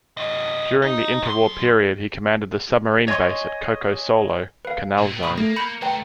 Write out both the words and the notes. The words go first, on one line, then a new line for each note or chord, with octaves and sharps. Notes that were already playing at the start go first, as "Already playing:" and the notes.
During the inter-war period, he commanded the Submarine Base at Coco Solo, Canal Zone.
C3 D#5
D#4
F#2 C6
C#5 D#5 G#5 C6 C#6
B4 F5
A#2 C4
B5 C#6 D#6
A3 A#3 A#6
B5 G6 A#6 C#7
A3 B4 C5 G5 A#5